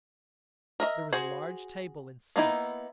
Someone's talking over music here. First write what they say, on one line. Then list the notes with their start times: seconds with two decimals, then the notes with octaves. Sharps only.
There was a large table and seats.
0.80 A#4 D#5 E5
1.13 F#4 G#4 C5
2.36 A#3 B3 D#4 E4